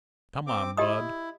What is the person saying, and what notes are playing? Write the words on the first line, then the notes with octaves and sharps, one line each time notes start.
Come on, Bud.
C4 D6
E4 G4 D#5 D#6